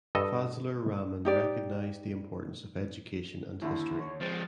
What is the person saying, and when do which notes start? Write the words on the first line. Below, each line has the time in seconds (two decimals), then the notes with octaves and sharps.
Fazlur Rahman recognised the importance of education and history.
0.15 G2 A4 D#5
1.25 D#4 G4 D5
3.62 D#2 D3 E4
4.00 C#5
4.21 F3 G#3 C4 A6